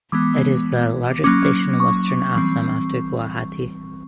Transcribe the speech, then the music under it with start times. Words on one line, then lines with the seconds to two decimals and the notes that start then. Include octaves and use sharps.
It is the largest station in Western Assam after Guwahati.
0.12 E3 G#3 B3 D6
1.24 F#3 A#3 C#4 D6
1.80 C#6
2.35 E3 G3 C4